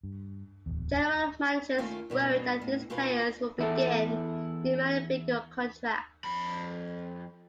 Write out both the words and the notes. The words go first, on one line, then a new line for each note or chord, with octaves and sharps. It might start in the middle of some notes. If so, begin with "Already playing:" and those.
General managers worried that these players would begin demanding bigger contracts.
G2
D1 E2
D#3 A3 A#3 C#4 E4 F4
G2 B2 B3 D#4
A2
G#2 B2 F4 G#4 B4
E2 E4 A4
F2 B5